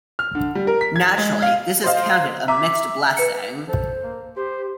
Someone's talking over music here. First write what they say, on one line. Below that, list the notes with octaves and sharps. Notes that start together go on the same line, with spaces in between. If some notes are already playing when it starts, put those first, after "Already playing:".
Naturally, this is counted a mixed blessing.
F6
D3
G3
A#4
B6
G#6
G#3
F5
C5 D#5 F5
E5 A#5 D6
B4 C#7
A4 C5
A#3
G4 C5